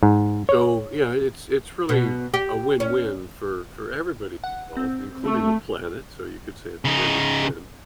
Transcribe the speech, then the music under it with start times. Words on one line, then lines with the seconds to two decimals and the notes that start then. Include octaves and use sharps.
So, yeah, it's it's really a win-win for for everybody involved, including the planet, so you could say it's win-win,
0.03 G#2
0.49 C#5
1.89 B2
2.34 G4
2.80 C#4
4.44 F#5
4.77 C4
5.24 A3
6.85 C#3 D#4